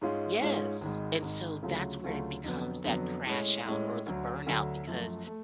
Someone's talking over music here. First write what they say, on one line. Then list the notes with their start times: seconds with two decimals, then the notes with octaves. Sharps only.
yes, and so that's where it becomes that crash out, or the burnout because
0.01 G#2 G#3 C#4 F4
0.41 G#2 G#3 C#4 F4
0.81 G#1 G#2 G#3
1.22 G#1 G#2 G#3
1.63 D2 C#3 F#3 A3 F4
2.04 D2 C#3 F#3 A3 F4
2.44 F2 D3 F#3 B3
2.84 F2 D3 F#3 B3
3.25 A2 G#3 C#4
3.65 A2 G#3 C#4
4.06 D2 D3 F#3
4.46 D2 D3 F#3
4.87 F#2 F3 A3
5.27 A3